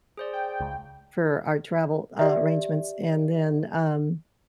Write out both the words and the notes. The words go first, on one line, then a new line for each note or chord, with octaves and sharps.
for our travel, uh, arrangements, and then, um,
G#4 C5 D5
G5
C#2
G4 D5 E5